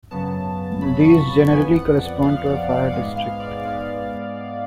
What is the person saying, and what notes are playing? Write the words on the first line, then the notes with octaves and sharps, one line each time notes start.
These generally correspond to a fire district.
F#2 C#3 F#3 B3 A5
F#2 C#3 F#3 B3 B5
B5
C#6
C#6
F2 F3 B3 G#5
F#5
D5
F2 F3 B3 F5
D5
D5
G#2 G#3 B3 F5
F5
D5
G#3 B3 F5